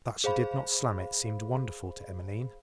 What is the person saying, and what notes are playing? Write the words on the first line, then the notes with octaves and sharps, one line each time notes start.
That she did not slam it seemed wonderful to Emmeline.
G#4 C5 F5 B5